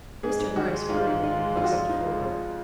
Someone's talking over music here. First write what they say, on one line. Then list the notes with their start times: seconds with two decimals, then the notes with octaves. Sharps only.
Mr. Gryce heard him and hastened forward.
0.23 G#2 G#4
0.39 G#2
0.56 D#3 F#4
0.73 G#3
0.89 G#2 F4
1.07 G#2
1.23 D#3 F4
1.39 G#3
1.56 F2 F4
1.64 F#4
1.72 F2 F4
1.89 F3 D#4
2.05 G#3
2.23 F2